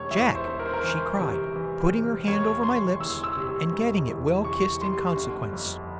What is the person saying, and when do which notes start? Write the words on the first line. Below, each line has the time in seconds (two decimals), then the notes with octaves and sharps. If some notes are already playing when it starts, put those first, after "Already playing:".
Jack!' she cried, putting her hand over my lips, and getting it well kissed in consequence.
Already playing: E1 C3 C#5
0.11 E2 E5
0.35 C5
0.47 E1
0.59 A#4
0.66 C5
0.74 A#4
0.83 E3 C5
1.19 C3
1.56 E3
1.92 C3
2.27 E1 C#5
2.63 E1 C6
3.00 E2 E6
3.23 E6
3.37 C3
3.72 E1
4.08 E2
4.44 C3 C#6
4.81 G3 C6
5.16 G1
5.53 F2